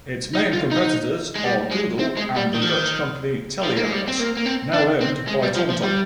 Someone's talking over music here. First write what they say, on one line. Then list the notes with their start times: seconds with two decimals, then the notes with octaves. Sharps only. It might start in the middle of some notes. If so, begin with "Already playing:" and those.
Its main competitors are Google and the Dutch company TeleAtlas now owned by TomTom.
0.35 D#4
0.53 F4
0.72 D#4
1.35 G#3
1.44 G3
1.72 G#3
1.99 C4
2.17 G#3
2.36 G3
2.55 D#3
2.62 F3
2.69 D#3
3.63 F3
3.77 A#3
3.84 G#3
3.92 G3
4.07 C4
4.19 A#3
4.37 A#3
4.46 C4
4.73 D4
5.01 C4
5.28 G#3
5.43 G3
5.56 F3
5.70 F3
5.83 G3